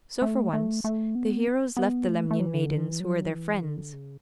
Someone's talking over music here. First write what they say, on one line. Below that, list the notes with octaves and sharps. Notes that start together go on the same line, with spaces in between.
So, for once, the heroes left the Lemnian maidens who were their friends.
A3
A3
A3
B3
B3
A3
A3
F#3
E3
D3
E3
F#3
E3
D3
C#3